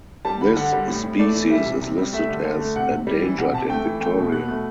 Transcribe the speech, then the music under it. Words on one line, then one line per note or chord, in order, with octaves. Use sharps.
This species is listed as "endangered" in Victoria.
G3 A5
D3 B5
D3 F#5
G3
A2
A2
A3 D5
E3
G3 E5
C3
C3
G3
A3 E5
D3
D3
A3
C3 F#5
C3
G3
E3
C3 F#5
C3 A5
A3 G5
E3
A3 G5
B2
B2 F#6
A3